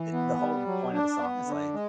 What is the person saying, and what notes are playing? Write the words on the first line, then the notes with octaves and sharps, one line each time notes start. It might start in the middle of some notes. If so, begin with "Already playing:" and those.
i the whole point of the song is like,
Already playing: E3
B3
G3
F#3
D4
B3
D3
G#3